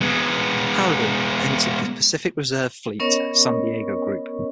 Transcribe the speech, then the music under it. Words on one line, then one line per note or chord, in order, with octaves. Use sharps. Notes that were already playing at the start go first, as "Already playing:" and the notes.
"Haraden" entered the Pacific Reserve Fleet, San Diego Group.
G#3 B3
B3 C#4 A#4 C#5 D#5 C#6